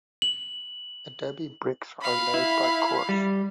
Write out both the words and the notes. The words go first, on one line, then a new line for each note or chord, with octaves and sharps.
Adobe bricks are laid by course.
F#7
F5 B5
E4
G3